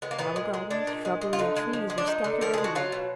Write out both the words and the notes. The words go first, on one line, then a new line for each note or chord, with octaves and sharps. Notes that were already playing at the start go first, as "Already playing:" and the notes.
Flower gardens, shrubbery, and trees were scattered everywhere.
G#3 B3
A#3
A#2 B3
G#3
G#3
G#3 D4
A#2
G#3
G#3
F4
D3 D#4
G#3
F3
G#3
D4
G#3 D#4
D3
F3 A#4
G#3 G#4
F#4
F#3 F4
B2